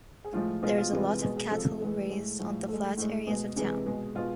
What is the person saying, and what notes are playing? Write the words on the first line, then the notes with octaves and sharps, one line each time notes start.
There is a lot of cattle raised on the flat areas of town.
G#4
A2 F3 G#3 F4
B2 G#3 F4
F4
C3 E3 G#3
B2 G#3 G#4
G#4
C3 F3 G#3 A4
A2 E3 G#3
A2 G#3
A2 F3 G#3
A2 G#3 A4
A2 G#3
B2 G#3 G#4
C3 E3 G#3 G#4
B2 G#3
B2 G#3 F4